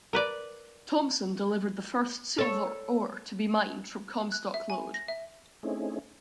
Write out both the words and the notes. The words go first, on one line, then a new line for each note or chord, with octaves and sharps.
Thompson delivered the first silver ore to be mined from the Comstock Lode.
A#4 B4 D5
A4 C#5
F#6
E5
G#5
A#6
E5
A3 C4 C#4 D#4 E4 G#4